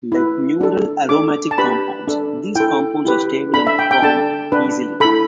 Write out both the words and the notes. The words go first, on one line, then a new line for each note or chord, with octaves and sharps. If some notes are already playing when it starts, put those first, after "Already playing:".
Like neutral aromatic compounds, these compounds are stable and form easily.
E4 B4
D4 A4
D4 A4 D6
A5
D4 G4 B4 B5
D4 A4
E4 A4 G5
E4 G4 B4
D4 A4 B5
E5
G5
G5
D4 A4 A5
D4 B4
E4 A4 B5